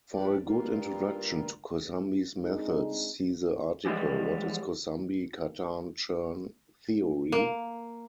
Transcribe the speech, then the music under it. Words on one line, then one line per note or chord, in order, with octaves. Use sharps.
For a good introduction to Kosambi's methods, see the article, What is Kosambi-Cartan-Chern theory?
E3 F3 G3 D4 G4 D5
G2 G3 A#3 F4
G#3 C4 D4 D#4
E3 F3 G3 G#3
A#3